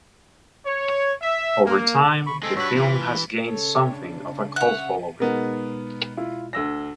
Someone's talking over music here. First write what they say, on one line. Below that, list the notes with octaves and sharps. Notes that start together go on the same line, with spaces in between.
Over time, the film has gained something of a cult following.
C#5
E5
A#3
B5 C#6
G#3 C4 A4
G2 F#4 B4 C#5 E6
E3 F4
C#3 A4 C#5
D4
C#5 E5 F#5 F#6
B2 G#3 B3 D#4 A#4
E4 F4
D2 E6 A#6